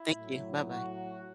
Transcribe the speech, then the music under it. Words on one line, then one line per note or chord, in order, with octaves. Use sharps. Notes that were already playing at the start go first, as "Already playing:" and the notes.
Thank you. Bye-bye.
Already playing: E4
A2 F#3
F#4